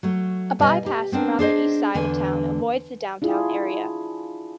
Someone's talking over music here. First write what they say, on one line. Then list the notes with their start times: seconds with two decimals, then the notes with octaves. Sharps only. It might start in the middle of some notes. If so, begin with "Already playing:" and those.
A bypass around the east side of town avoids the downtown area.
0.03 F#3 A3
0.59 B2 G3 E4 D#5 G#5
0.86 G4
1.12 B3 C4 D4 A#4
1.39 D4 G#4 C5 D#5
1.94 E2 D3 B4 G#5
3.22 D4 E4 F4 G#4